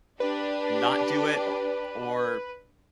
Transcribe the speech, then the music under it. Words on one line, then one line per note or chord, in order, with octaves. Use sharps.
not do it o or
D4 G4 B4